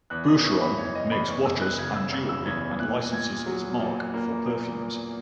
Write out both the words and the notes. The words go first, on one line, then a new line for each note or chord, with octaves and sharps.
Boucheron makes watches, and jewellery, and licenses its marque for perfumes.
E2 F#6
D#6
E3 C#6
B5
F#1 C#5
D#5
E2 B5
C#6
F#1 E6
F#6
C#3 G#6
E6
C#3 E6
E6
E2 G#6
A#2 F#6
A#2 G#6
F#3
A#2
A#3
A#2